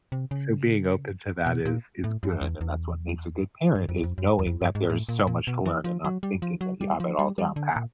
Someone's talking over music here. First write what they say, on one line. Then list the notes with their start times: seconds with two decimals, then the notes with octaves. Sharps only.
So being open to that is is good, and that's what makes a good parent is knowing that there's so much to learn and not thinking that you have it all down pat.
0.12 C3
0.31 C#3
1.46 B2
1.65 A#2
2.04 A2
2.23 F#2
2.41 E2
2.61 E2
3.75 G2
3.89 F2
4.03 F2
4.18 F#2
4.39 E2
4.47 F2
4.61 G2
4.75 G#2
4.90 A2
5.09 A#2
5.27 A#2
5.47 B2
5.66 E3
5.84 F3
6.05 F#3
6.23 G3
6.42 F3
6.61 F#3
6.81 G3
7.00 F3
7.19 G3
7.38 G3
7.56 D3
7.76 A#2